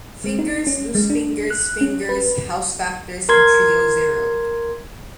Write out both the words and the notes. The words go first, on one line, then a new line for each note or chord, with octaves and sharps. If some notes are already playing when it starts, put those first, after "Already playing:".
Fingers, Loosefingers, Fingers, House Factors, and Trio Zero.
G#3
D#4
C#4
G#3
D4
F#6
C#4
B4
A#4 C6 G#6